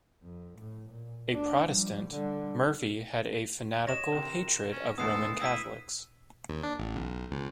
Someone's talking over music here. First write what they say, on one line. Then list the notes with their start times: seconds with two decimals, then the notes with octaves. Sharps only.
A Protestant, Murphy had a fanatical hatred of Roman Catholics.
0.23 F2
0.58 A2
0.90 A#2
1.32 D2 D4
1.68 F3 G3
2.09 D3 G3
3.87 C#5 D#5 A#6 E7
4.12 C3 D#3
4.72 C#4
4.98 D2 G#3 B3 A4 D#6 C7
5.42 E4 E6 B6 D#7
6.49 D#2
6.63 D4
6.78 A1
6.96 B1
7.31 C#2